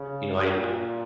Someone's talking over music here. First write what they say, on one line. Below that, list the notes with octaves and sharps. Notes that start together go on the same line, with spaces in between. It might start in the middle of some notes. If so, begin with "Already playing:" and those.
You know, I
Already playing: C#3
A#2